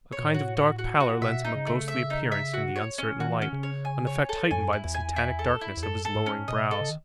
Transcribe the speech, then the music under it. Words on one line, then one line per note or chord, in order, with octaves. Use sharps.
A kind of dark pallor lent him a ghostly appearance in the uncertain light, an effect heightened by the satanic darkness of his lowering brows.
C#5
B2
A2
F#4
F#4
F#4
F#4
B2 E5
D#4
C#3
A3
E5
D#4
E5
F#4
C#5
C#4
D#3 F#4
E3
D#3 C#4
C#3
C#5
G#5
C#5
A4
F#2 G#5
E4
E2
G#5
E4
A4
E4
E2
F#2 A4
A4
G#2
C#4
B2 D#5
A4
C#3
D#3